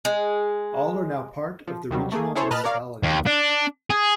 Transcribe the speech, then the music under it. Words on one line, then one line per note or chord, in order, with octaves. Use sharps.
All are now part of the Regional Municipality.
G#3
F3
D#2 C3 D#3 F#3 G3
A3 A#3 G#4
C#4 E4 G#4 A4 C5 C#5
A#2 B4 D#5 A5 F6 F#6
A#4 C#5 D5 F5
D#2
D4
G#4